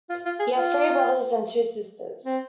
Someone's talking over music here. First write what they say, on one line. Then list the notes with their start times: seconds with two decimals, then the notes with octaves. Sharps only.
He had three brothers and two sisters.
0.10 F4
0.25 F4
0.39 G#4
0.55 F4
2.26 C4